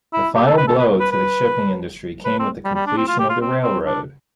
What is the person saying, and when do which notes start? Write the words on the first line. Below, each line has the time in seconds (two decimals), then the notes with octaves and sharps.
The final blow to the shipping industry came with the completion of the railroad.
0.13 E4
0.35 G4
0.47 A4
0.58 B4
0.68 A4
0.79 B4
1.00 B4
1.11 B4
2.25 B4
2.39 C4
2.65 G3
2.75 G3
2.87 D4
2.97 C4
3.08 F4
3.19 G4
3.29 F4
3.41 C4
3.63 C4
3.85 D4